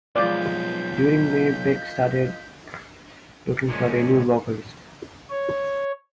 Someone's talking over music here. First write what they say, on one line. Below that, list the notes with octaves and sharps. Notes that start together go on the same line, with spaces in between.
During May, Beck started looking for a new vocalist.
B1 F3 G#3 F4 D5 G6 B6
A#2 D3 G#3 C#4
C#5